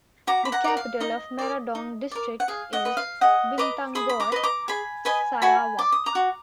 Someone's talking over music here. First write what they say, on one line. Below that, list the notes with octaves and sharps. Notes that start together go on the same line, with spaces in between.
The capital of Meradong District is Bintangor, Sarawak.
F#4 A#5 D6
B5
F#5 A#5
A#4 D5
F5
D#4 D#5
A#4 D5
D#4
A#4 D5
F#5
G#4 F5
D#5 F#5
B4 D#5
F5
G#4 D#5 F#5
B4 D#5 A#5 D6
G#4 B5 D#6
B5
A#5 D6
B4 D#5
A#5 D6
G#4 G#5 B5
B4 D#5 G#5 B5
F#4 G#5 B5
D5 D6
D#6
A#5 D6
F#4